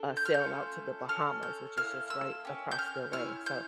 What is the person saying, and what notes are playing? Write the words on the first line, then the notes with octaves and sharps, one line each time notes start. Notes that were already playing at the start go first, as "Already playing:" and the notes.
uh, sail out to the Bahamas, which is just right across the way, so
Already playing: D4 A4
G6
F6
G6
A3 C#4 F4 A4
C#4 F4 A4 F6
G6
A#3 E4 A4 F6
E6
C#4 G4
G6
F6
C#4 E4 F6
G6